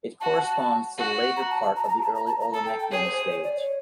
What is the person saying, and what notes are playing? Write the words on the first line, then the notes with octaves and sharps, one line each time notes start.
It corresponds to the later part of the early Olenekian stage.
F#4 A5
A5
A5
F#4
A#5
A5
A5
A#5
A5
A#5
A5
A#5
A5
A#5
A4 A5
G5
G5
G#4 C#5
C5
C5
C#5
D5
C#5